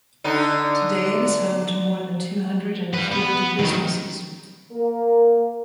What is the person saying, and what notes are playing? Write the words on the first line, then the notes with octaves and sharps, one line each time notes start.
Today it is home to more than two hundred and fifty businesses.
D3 D#4
G3 B4
B3 B4
D#3 F#3
A#3 A#4